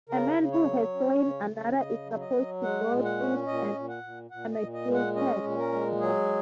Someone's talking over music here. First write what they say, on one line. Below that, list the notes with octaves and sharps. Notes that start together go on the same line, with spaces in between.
A man who has slain another is supposed to grow thin and emaciated.
C#3 A#4
C#3
C#5
F#3
C#4
C#3
C#3
C#3 D#5
F#3
D#5
F#3
G#3 F#5
A#2
F#5
C#4
A#2 D#5
A#2
F#5
A#2
A#2 F#5
D#5
A#2
D#5
G#3
F#5
C#4 D#5
A#2
A#4
G#3
F#3 G#4